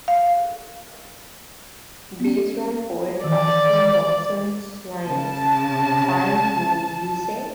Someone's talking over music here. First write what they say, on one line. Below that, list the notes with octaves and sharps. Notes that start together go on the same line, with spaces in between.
Based on poet Austin Dobson's lines - Time goes, you say?
F5
B3 C#4
D#3 E3 D5
C#3 A5